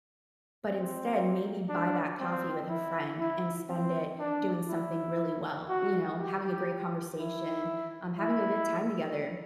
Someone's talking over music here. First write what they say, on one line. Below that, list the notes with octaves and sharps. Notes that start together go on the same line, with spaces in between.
but instead, maybe buy that coffee with a friend and spend it doing something really well, you know, having a great conversation, um, having a good time together.
C4
D4
C4
E4
E4
C4
D4
E4
F#4
G4
E4
E4